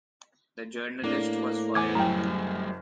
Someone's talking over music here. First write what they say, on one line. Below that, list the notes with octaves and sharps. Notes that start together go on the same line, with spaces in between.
The journalist was fired.
A2 A#3 D4
E3 B3 G#5 D6 G#6
F#1 F#2 G3 A3 G5 A#5